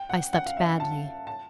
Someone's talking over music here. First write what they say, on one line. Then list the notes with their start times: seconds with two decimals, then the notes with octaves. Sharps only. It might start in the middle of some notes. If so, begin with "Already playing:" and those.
I slept badly.
Already playing: G5
0.09 F#5
0.33 F#5
0.46 F5
0.57 E5
0.80 A5
1.27 A5